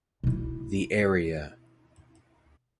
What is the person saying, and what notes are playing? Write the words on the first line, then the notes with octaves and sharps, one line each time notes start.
The area.
B2 E4